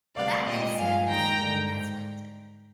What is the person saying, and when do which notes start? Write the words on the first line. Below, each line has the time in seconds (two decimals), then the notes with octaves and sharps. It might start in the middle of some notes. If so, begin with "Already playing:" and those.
Well, that makes sense. That explains it.
0.16 D2 C3 G3 D5 F5
0.46 A#2 G#3 D#5 G5
0.77 G2 F3 G#3 F5 G#5
1.08 D#2 D#3 G#3 G5 A#5
1.39 G2 D3 G#3
1.69 G#2